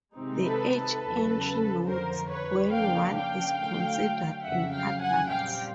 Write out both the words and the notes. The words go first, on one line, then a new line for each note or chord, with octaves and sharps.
The age entry notes when one is considered an adult.
C3 D#3 G#3 C4 D#4
A4 B4
A4 B4
E2 C#3 F#3
F2 D3 F3 A#4 C5
B4 C#5
C#3 F3 A#3 D4 F5 G5
F5 G5
D3 F#3 A3
F2 C#3 F#3 E5 F#5
F5 G5
F#5 G#5
A#2 G3 C4 F5 G5